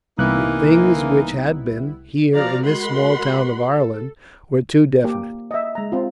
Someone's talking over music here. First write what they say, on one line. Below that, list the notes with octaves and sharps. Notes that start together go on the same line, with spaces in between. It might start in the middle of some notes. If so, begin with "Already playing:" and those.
The things which had been, here, in this small town of Ireland, were too definite.
C2 E3 G3 A#3 B3 D#4 E4 F#6
F3 F#4 D5 F5 A#5
G#3 F#4 A#4 F#5 B5 C6
A4
A#3 G4
D#5 E5
G#3 A#5
C4 F4